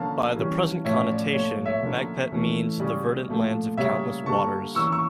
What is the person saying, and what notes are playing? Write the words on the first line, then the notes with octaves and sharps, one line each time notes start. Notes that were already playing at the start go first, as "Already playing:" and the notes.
By the present connotation, Magpet means "the verdant lands of countless waters".
Already playing: D3 F3 A#3 C#4 F5 A5
E3 G3 C#4
A2 F3 C#4 C#5 E5
D5
A#2 F3 A3 C#5
C#5 E5
D3 F3 A#3 C#4
E3 A3 C#4
C#3 G3 C#4 D5
A#2 F3 A3
C#3 G3 A#3 C#5 E5
D3 G3 A#3 A5 C#6
E3 A#3 C#4 C#6 E6
C#6 E6